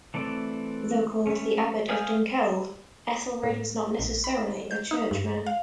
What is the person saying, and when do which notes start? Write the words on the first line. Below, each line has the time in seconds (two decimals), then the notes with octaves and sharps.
Though called the abbot of Dunkeld, Ethelred was not necessarily a churchman.
0.14 E3 A3 C4 D5
1.27 A3 C#4
1.89 G#4 F5 G#5 F6 G6
3.43 A2
3.99 A#1
4.24 B5
4.71 G6
4.91 D#4
5.11 G2
5.46 F5